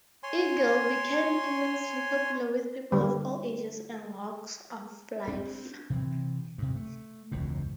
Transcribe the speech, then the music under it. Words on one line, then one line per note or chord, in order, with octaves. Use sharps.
"Eagle" became immensely popular with people of all ages and walks of life.
C#5 G#5 C6
D3 G3
C4 D4
C3 E3 C4
G2 C3
A3
E1 C#2 F#2 A2